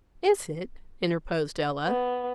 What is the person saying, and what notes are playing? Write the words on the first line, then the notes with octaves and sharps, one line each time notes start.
"Is it?" interposed Ella.
B3